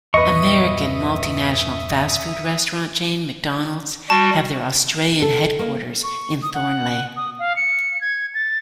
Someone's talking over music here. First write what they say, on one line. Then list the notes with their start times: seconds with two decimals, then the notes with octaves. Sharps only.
American multinational fast food restaurant chain McDonald's have their Australian headquarters in Thornleigh.
0.14 E2 G2 A#2 B4 D#5 E5 C#6 D#6
4.10 G3 F#4 A5
5.22 A4
5.59 A#3
6.03 C#6
6.42 D#6
6.54 F#5
7.16 D#6
7.39 F5
7.56 C#7
8.01 G#6
8.34 A6